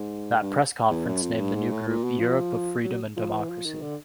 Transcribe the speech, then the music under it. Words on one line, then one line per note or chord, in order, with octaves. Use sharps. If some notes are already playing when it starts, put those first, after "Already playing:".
That press conference named the new group "Europe of Freedom and Democracy".
Already playing: G#2
G2
E2
F#2
F2
G2
G#2
A2
A#2
B2
F3
F#3
F3
E3
F3
D#3
D3